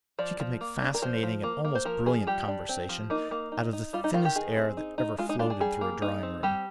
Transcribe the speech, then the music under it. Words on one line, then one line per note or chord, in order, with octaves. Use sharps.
She could make fascinating and almost brilliant conversation out of the thinnest air that ever floated through a drawing-room.
F3 D5
F3
A#3
D4
A#4
F3 C5
F3
A#3
A#3
C5
F3 A#4
F3 G#4
G3 G4
D4
C4
F3
A#3 D#4
A#3
D#4
D#4
G3 F4
D#4
D#3 F4
G4
D#4 G#4
C4
D#4
D#4
G#3 F4
D#4
D4 F4
G#4
G3 G#4
A#3
D#4
C4
G3 G4